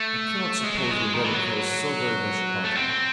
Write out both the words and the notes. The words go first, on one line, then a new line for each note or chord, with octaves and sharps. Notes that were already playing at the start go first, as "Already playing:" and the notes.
I cannot suppose your brother cares so very much about me.
Already playing: A3
G#3
F#3
G#3
D#3
E3
F#3
A3
C4